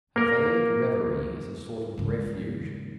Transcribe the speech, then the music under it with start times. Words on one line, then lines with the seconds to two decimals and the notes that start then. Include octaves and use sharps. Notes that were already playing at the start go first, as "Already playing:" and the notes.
A vague reverie is a sort of refuge.
0.16 A#3 A#4
1.98 G#2 C#3